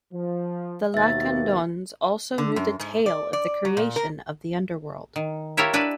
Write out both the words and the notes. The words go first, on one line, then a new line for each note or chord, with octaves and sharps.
The Lacandons also knew the tale of the creation of the Underworld.
F3
D#2 B2 E5 A6
D3
F#2
G#2
D5
D5
F#3
A#2
A#4
D#3
E4 F4 G4 A#4 C#5 E5
D4 E4 B4 D5 E5